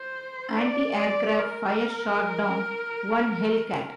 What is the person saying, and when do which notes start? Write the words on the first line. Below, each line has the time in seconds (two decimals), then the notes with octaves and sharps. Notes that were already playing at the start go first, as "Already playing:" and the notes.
Antiaircraft fire shot down one Hellcat.
Already playing: C5
0.56 D5
0.97 D5
1.38 A#4